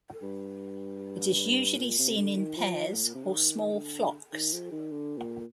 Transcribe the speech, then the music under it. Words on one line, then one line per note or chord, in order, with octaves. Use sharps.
It is usually seen in pairs or small flocks.
G2
A#2
C3
D3
D#3
F3
A2
A#2
C3
D3
D#3
D3
D#3
F3
D#3
D3
A#2